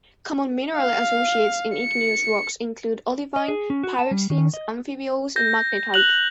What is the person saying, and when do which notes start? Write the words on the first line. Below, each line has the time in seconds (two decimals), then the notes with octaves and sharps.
Common mineral associates in igneous rocks include olivine, pyroxenes, amphiboles and magnetite.
0.77 F5
1.77 C#7
3.36 D#5
3.48 G#4
3.70 C#4
3.83 F#4
3.99 A5
4.11 G3
4.30 D#3
4.54 D#5
5.36 G6 A#6
5.94 F#6 F7 F#7